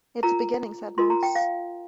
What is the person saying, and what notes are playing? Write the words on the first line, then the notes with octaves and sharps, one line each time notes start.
"It's a beginning," said Moss.
F4 A#4 A#5
F4 A#4 C6
A#5
G5
F5